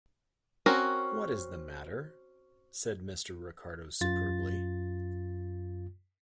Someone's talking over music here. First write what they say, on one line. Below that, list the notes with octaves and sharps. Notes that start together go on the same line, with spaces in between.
"What is the matter?" said Mr. Ricardo superbly.
C4 C#4 F#4 A#4
F#2 F4 A6